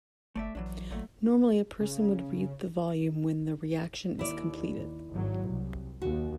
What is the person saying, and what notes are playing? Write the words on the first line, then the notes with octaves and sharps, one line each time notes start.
Normally a person would read the volume when the reaction is completed.
G1 A3 D5 E5
A#1 E3 F#3 D4
A1 A#2 F#3 A3
C#3
D#2 E4 D5
G#1 F#3
C2
D#2 F#4